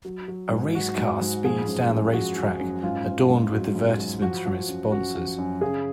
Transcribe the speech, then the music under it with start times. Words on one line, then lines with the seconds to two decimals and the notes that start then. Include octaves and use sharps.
A race car speeds down the racetrack, adorned with advertisements from its sponsors.
0.05 F#3
0.28 F#3
0.51 G#2
0.75 F#3 F#4
0.98 G#2
1.21 G#2
1.44 F3 G#4
1.67 F#2
1.91 F#2
2.13 F3 F#4
2.37 F3
2.60 F#2
2.83 G#2 F4
3.07 G#2
3.29 G#2
3.53 F#3
3.75 G#2
3.99 F#3
4.22 F3 F#4
4.45 F3
4.68 F#2
4.92 F#2 F#4
5.15 F3
5.38 F#2
5.61 C#3 G#4